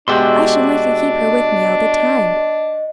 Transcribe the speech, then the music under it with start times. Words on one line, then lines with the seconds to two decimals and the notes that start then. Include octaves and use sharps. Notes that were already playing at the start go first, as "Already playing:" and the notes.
"I should like to keep her with me all the time."
0.08 B2 G#3 D4 F#4 G4 D#5 E5 C6